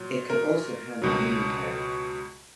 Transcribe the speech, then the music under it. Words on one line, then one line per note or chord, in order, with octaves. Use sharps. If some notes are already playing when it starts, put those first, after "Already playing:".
It can also handle Unicode.
Already playing: A#2 F#3
A#4
C#2 B2 F#3